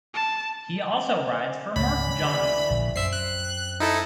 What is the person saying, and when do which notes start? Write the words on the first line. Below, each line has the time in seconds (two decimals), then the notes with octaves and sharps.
He also rides for Mark Johnston.
0.14 A5
1.76 C#2 G#2 C#4 B5
2.22 D3 E3 G3 A3
2.70 A#1
2.96 F#2 C4 E5 C7
3.13 F#6
3.80 D#4 E4 A4